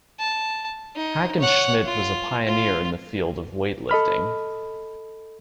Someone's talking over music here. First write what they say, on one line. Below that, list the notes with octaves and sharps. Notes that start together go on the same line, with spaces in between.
Hackenschmidt was a pioneer in the field of weightlifting.
A5
D#4
C#5 F#5
F4
F4
A4 D#5 B5 F6